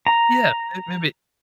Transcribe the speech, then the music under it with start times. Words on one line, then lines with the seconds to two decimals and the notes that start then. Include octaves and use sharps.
yeah, may maybe
0.07 A#5